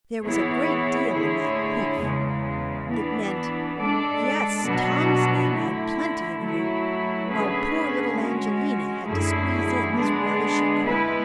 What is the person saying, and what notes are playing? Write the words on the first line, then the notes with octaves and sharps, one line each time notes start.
There was a great deal in that "humph." It meant: Yes, Tom's name had plenty of room, while poor little Angelina had to squeeze in as well as she could.
E3 B3 E4 G#4 C#5
D3 A3 E4 G#4 C#5
E2 C#3 G#3
E3 B3 D4
G#3 D4 A4 D5
B2 F#3 B3 D4 F#4
D3 A3 E4
F#3 A3 E4
D3 A3 C#4 G#4 B4
G#3 C#4 F#4
F#2 D3 A3 E4 G#4
D3 G#3 B3 D4 G#4
G#3 B3 E4 B4